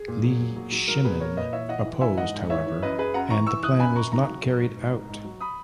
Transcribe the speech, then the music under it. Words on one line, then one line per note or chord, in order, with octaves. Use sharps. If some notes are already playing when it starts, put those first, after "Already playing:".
Li Shimin opposed, however, and the plan was not carried out.
Already playing: G#4
A#2
F#3
A#2
F#3
F#3
F#3 A#4
A#2 G#4 B4
A#2 A#4 C#5
A#2 B4 D#5
E3 C#5 E5
E3 D#5 F#5
E3
E3 E5 G#5
G#2 D#5 F#5
G#2
E3 C#5 E5
E3
F#2 B4 D#5
F#2 G#4 B4
F#2 F#5 A#5
E3 A#5 C#6
E3 C#6 E6
E3 D#6 F#6
F#2 G#5 B5
F#2 A#5 C#6
D#3 A#5 C#6
F#3
F#3
G#2
G#2
G#2
G#2
F#3
B5 D#6